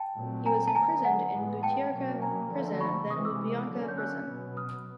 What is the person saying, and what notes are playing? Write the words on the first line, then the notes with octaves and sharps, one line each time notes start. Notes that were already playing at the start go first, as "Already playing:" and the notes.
He was imprisoned in Butyrka Prison then Lubyanka Prison.
Already playing: G5 A5
A#2 F#3 A3 C4
G#5 A#5
A5
D3 F#3 B3 G#5 A#5
F#5 G#5
A2 E3 G#3 B3
G5 A5
B2 F#3 A#3 C#4
G#5 A#5
D3 F3 A3
B5 C#6
C3 E3 G#3 C#6 D#6
D6 E6
D3 F#3 A#3 C#4
G6
E6 F#6
B2 F#3 B3
D#6 F6